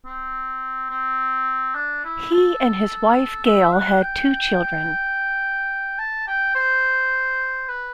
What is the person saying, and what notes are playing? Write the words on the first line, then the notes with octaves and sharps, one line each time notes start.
He and his wife Gail had two children.
C4
C4
D4
E4
A4
E5
F#5
G5
A5
G5
C5
B4